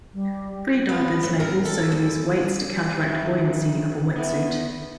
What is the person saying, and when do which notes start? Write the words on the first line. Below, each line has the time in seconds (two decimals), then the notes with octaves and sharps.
Free divers may also use weights to counteract buoyancy of a wetsuit.
0.14 G3
0.89 B3
1.23 A2
1.40 A#4
1.65 A4
1.92 E2
2.44 G3
3.06 D#3 E4
4.16 B3 E4